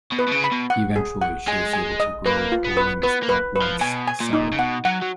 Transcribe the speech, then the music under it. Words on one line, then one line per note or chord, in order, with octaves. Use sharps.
Eventually she was able to grow whole limbs back once severed.
B2
B4
B2
C#3
B5
B2
F#5
G#4
F#5
G#3 G#5
G#5
D#5
A#3 B4
F4
B3
B4
B3 B4
A#3
B4
B4
F3
B2 G#5
G#5
A#2
D#4
C#3
B2 F#5
F#3 F#5
F#3